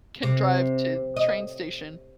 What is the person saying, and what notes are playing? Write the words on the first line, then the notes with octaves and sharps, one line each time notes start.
can drive to the train station
C3
D#5